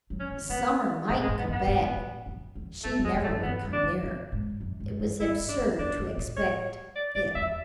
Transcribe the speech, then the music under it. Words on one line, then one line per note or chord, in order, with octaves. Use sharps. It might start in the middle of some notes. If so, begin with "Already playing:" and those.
The summer MIGHT come back; she never would come nearer: it was absurd to expect it.
F#3
C#4
D3
C#3 B3
A2 G#3
G#3
G#2
B3
F#2
B3
G#2
A2
F#2
E2
F#2 A3
E2
G#3
F#2
A3
G#2
F#2 B3
E2
D4
F#2
F#2
G#2
F#2
G#2
F#2
G#2 E4
G#2
D4
F#2
E2 D4
F#2
A2
A2 C#5
D5
F#2 D5
E2 E5